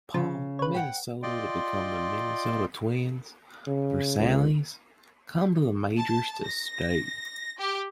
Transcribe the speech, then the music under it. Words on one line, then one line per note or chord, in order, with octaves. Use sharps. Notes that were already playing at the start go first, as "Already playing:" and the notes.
Paul, Minnesota to become the Minnesota Twins, Versalles came to the majors to stay.
C#3 F3
B4 C#5
F#5 G5
F4 D5 D#5 G5 C6
C#3
C#2
A5
A#6
G4